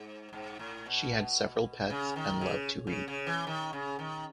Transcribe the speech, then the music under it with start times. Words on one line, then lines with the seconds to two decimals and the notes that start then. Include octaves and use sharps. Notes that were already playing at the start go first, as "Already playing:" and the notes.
She had several pets and loved to read.
Already playing: G#2
0.33 G#2
0.59 A2
0.86 B2
1.90 C#3
2.16 D#3
2.41 C#3
2.87 C#3
3.08 C#3
3.27 E3
3.47 D#3
3.73 C#3
3.99 D#3